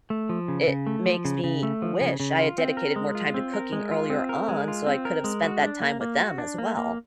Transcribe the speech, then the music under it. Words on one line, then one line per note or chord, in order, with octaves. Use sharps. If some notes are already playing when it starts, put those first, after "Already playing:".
it makes me wish I had dedicated more time to cooking earlier on, so I could have spent that time with them as well.
A3
F3
C#3
C#3
A3
F3
C#3
C#3
A3
F3
C#3
C#3
F4
C4
A#4
G#3
F4
C4
A#4
G#3
F4
C4
A#4
G#3
F4
C4
A#4
G#3
F#4
D4
A#3
A#3
F#4
D4
A#3
A#3